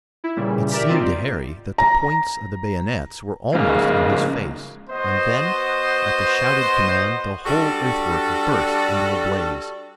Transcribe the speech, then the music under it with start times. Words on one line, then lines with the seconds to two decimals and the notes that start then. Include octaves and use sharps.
It seemed to Harry that the points of the bayonets were almost in his face, and then, at the shouted command, the whole earthwork burst into a blaze.
0.24 E4
0.37 A#2 C#3 E3 G3
0.71 G4 A#4 D5 E5
0.88 B2 C4 D#4 F4 G4
1.78 A#5
3.54 G#2 C#3 A#3
4.89 B3 F#4 C5 D#5
7.45 G3 D4 F#4 A4